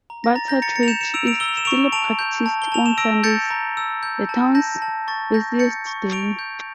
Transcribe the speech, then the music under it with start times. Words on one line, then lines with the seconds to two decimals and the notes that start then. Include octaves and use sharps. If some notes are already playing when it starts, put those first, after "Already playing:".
Barter trade is still practiced on Sundays, the town's busiest day.
0.10 A#5
0.24 A#6
0.36 A#5 A6
0.48 G6 A#6
0.62 A#5 A6 C#7
0.76 A6 C#7
0.83 F7
0.88 G6 C#7 E7
1.01 C#7 E7
1.14 E6 D7 F7
1.27 D7 F7
1.40 E6 G7
1.48 F7
1.57 E7
1.65 C#6 D7 F7
1.92 A5 D7 F7
2.19 G6
2.46 A5
2.62 G7
2.72 A5 F7
2.86 E7
2.98 E6 A#6 D7
3.23 G6 A6 C#7
3.50 A#5
3.77 E6
4.03 G6
4.29 A5
4.55 A5 G6 A#6
4.82 A5
5.08 C#6 A6
5.34 G6 A#6
5.59 G6 A6 C#7
5.87 C#6
6.12 C#6 D7 F7
6.39 G6